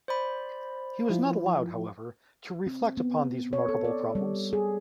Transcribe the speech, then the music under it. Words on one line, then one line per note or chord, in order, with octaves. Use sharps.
He was not allowed, however, to reflect upon these remarkable problems.
C5 D5 B5
F3 E4 F4
C4
B3
C#5
A4
D5
G3
G#4